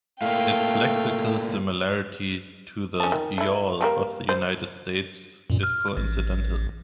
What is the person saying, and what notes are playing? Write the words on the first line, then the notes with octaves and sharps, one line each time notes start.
Its lexical similarity to the "y'all" of the United States is coincidental.
A2 A3 A#3 F5 G5
C#4 A5
D#3
A3 E4
F3 G3 A#3
C5
F#2 A#2
F6
A1